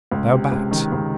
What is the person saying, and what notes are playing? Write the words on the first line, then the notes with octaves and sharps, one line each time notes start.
Thou bat!
C#2
C3
C#2
D#3
C#2